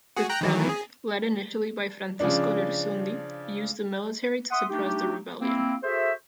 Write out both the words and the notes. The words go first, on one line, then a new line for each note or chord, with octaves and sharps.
The Spanish, led initially by Francisco Lersundi, used the military to suppress the rebellion.
F#4 G#4
G5 A#5 F#6
D#3 E3 F#3
G#4
C#3 F3 D4
E5 F#5 C6 D#6
A3 D4 D#4 G4
A#3 C4 E4
F#4 G#4 A4 C5 E5